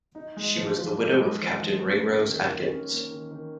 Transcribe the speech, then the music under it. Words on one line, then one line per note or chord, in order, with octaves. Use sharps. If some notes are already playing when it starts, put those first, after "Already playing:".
She was the widow of Captain Ringrose Atkyns.
D#4
G#3
F3
F3
D#4
G#3
F3
F3
C#4
A#3
D#3
D#3
C#4
A#3
D#3
D#3